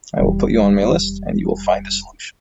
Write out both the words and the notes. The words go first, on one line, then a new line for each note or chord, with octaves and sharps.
I will put you on my list and you will find a solution.
D#1 E2 G3